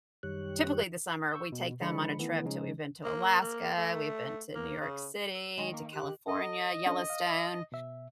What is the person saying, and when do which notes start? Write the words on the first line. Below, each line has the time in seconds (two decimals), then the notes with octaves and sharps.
typically, the summer, we take them on a trip to we've been to Alaska, we've been to New York City, to California, Yellowstone,
0.23 F#2 D#3 G3 G4 C#5 F#6
1.31 C#6 E6 G6
1.52 B2
1.81 D3 F3 G#3 D4 B5 C#7
2.19 D#3 E3 A3 B3 E4
2.45 C#3 F3 G#3 C#4 D#4
3.05 A#3
3.42 A#3
3.77 A3
4.55 A#3
4.81 C#3
5.35 E6
5.58 D#3 G#3
5.74 A#3
5.93 G4 F#6
6.28 A4 D#5
6.86 C#4 D4 A4
7.10 F5
7.72 B2 E5